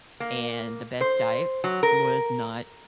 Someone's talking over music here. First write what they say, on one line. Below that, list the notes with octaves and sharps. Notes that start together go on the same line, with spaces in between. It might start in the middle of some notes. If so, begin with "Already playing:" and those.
and the best diet was not
A#3
C5
F#3
A#4